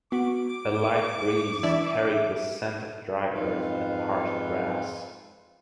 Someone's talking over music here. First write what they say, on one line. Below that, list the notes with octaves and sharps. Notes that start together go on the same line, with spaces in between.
A light breeze carried the scent of dry earth and parched grass.
B3 F#4 D6
E3 D4 E5
F2 G#2 D#4 F4 B4 F5